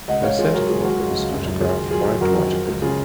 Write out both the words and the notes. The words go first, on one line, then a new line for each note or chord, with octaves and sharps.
Her centerfold was photographed by Dwight Hooker.
C#2 D#5 F#5
C#2 C#5 F5
C#2 F4 G#4
F#3 F#4 A#4
C#2 F4 G#4
C#2 F#4
F#3 F4 G#4
C#2
F#2
F#2
F#2 F4 G#4
D#3
F#3 F4 G#4
F#3
F#2 F#4 A#4
D#3
F3
C#2
C#3 F4 G#4